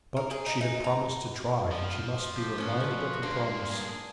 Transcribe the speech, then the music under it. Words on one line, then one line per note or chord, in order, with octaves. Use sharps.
But she had promised to try, and she must be reminded of her promise.
A#4
G#4
D#4
D#4
A#5
F3
G4
F2 C#4 F#4
A#4 B4
G2 A#3 D4 C6
G#4